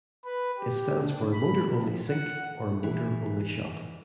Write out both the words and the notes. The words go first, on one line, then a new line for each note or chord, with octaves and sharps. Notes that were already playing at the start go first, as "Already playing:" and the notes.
It stands for "motor only sync" or "motor only shot".
B4
G4
D4
B5
F3
F#5
E3